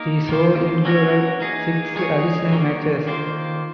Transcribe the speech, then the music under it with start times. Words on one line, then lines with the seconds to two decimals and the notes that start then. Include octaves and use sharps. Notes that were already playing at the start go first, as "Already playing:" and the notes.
The show included six additional matches.
Already playing: A#3 D#4 A#4
0.29 D#3 A#3 F4 C5
0.85 F#3 C#4 F#4 A#4 C#5
1.40 A#3 D#4 G#4
1.96 G#3 D#4 G#4 C#5
2.52 D#3 F#3 A#3
3.07 D#3 A#3 F4 C5